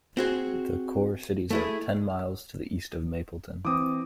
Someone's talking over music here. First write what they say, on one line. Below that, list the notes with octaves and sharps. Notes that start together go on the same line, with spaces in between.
The core cities are ten miles to the east of Mapleton.
C4 F#4 G#4
A3 E4 G#4
E3 C4 D6 D#6